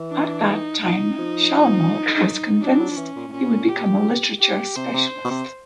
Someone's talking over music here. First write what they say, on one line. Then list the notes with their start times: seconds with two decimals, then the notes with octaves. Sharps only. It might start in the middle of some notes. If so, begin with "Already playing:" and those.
At that time Shalamov was convinced that he would become a literature specialist.
Already playing: E3
0.11 D4
0.46 D#4
0.83 D#4
1.18 F3
2.62 F#3 D4
2.80 F#3
2.91 F3
2.97 E3 C#4
3.16 A#2
3.28 A2
3.33 A#2 C#4
3.69 G4
4.40 G4
4.76 C3 C5
4.94 C3
5.25 B2
5.30 C3